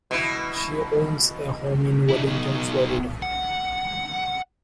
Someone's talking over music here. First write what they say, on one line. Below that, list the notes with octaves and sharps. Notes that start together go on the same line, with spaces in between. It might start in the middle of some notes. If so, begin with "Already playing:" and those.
She owns a home in Wellington, Florida.
B2 E4
D4 E4
B2 D#4
F#5